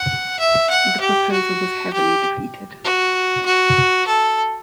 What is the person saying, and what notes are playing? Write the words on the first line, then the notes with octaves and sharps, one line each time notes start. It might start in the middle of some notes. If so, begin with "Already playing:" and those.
The proposal was heavily defeated.
Already playing: F#5
E5
F#5
G4
F#4
G4
F#4
F#4
A4